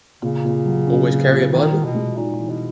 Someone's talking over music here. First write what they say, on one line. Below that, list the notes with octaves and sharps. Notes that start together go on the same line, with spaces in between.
Always carry a bible?
A#2 C#3
A#2
F#3
C#4
A#2
A#2
D#3 E3
F#4
B2
G#3
A#2 D#4
E3
B2